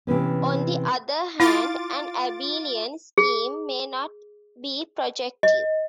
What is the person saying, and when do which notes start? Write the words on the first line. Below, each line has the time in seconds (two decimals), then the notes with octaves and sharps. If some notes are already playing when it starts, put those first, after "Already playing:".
On the other hand, an abelian scheme may not be projective.
0.07 C3 E3 B3 C#4
1.40 E4 F4 D6 A6
3.18 G#4
5.43 D#5